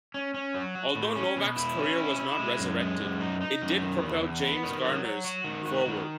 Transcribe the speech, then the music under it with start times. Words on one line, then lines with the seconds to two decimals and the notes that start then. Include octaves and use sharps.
Although Novak's career was not resurrected, it did propel James Garner's forward.
0.14 C#4
0.34 C#4
0.54 F#3
0.75 F#4
0.96 A2
1.16 C#4
1.36 B2
1.56 E4
1.77 C#4
1.98 E4
2.18 E4
2.39 G#3
2.59 F#2
2.80 G#3
3.00 F#2
3.21 D#4
3.41 D#4
3.61 F#2
3.82 D#3
4.02 E2
4.22 E2
4.42 B3
4.63 D#3
4.84 F#3
5.05 F#3
5.25 F#4
5.44 D#3
5.66 F#4
5.86 D#3